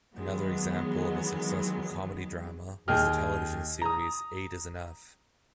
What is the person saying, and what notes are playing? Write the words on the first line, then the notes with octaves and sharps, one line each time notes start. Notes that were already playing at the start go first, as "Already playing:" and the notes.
Another example of a successful comedy-drama was the television series "Eight Is Enough".
D#3 E3 F#3 G#3 B3
D#2 G#4 D#5 G5 F6
A#5 D#6